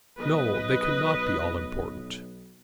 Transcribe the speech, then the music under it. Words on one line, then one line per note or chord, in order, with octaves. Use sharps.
"No; they cannot be all-important."
B1 B4 D#5